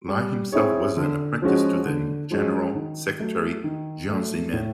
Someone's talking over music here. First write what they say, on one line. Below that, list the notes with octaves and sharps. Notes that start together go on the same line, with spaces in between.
Lai himself was an apprentice to then General secretary Jiang Zemin.
G3
C4 E4 G#4 C#5
D3
F3 G#3 C#4 F#4
D3
F3 G#3 C#4 F#4
D#3
F#3 A3
D#3
F#3 A3
A2